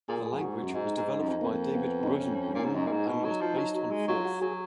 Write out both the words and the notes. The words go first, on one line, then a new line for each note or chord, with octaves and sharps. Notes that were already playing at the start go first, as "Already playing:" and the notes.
The language was developed by David Rosenboom and was based on Forth.
A#2 G#4
G#4
F#2
G#2 F#4
F#2
G#2 D#4
G#2
F#2
F2
F2 A#3
B3
D#4
C#4
A#2
G#2
F#2 D#4
A#2
G#2
B2
F#3
F3
F#3
F#3
G#3
F#3 F4
F#4
F#3 G#4